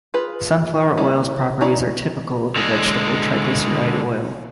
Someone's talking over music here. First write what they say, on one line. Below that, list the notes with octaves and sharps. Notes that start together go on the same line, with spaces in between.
Sunflower oil's properties are typical of a vegetable triglyceride oil.
F4 G#4 B4
F#3 G3 A#3 C#4 E4
C#4 D#4 E4 D5 A#5
D3 G#3